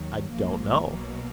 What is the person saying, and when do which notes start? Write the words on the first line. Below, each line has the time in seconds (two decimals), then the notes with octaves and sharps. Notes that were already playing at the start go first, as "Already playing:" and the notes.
"I don't know."
Already playing: D#2 D#3 F#3
0.32 A#1 G#2 F3 A#3
0.87 B1 B2 F#3 A#3